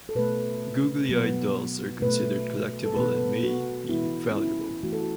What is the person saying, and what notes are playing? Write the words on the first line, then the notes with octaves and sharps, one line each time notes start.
Googly eyed dolls are considered collectible and may be valuable.
A4
B2 A3 B4
B2 F#3 B3
B2 A3 B4
A4
B2 B3 B4
F#4
E3 B3 E4
C#4
E4
E3 A3 F#4
A4
F#4